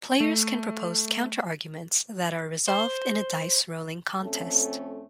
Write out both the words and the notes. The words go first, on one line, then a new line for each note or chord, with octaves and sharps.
Players can propose counter-arguments that are resolved in a dice rolling contest.
A3
C5
F2 A3 C4 C#4 A4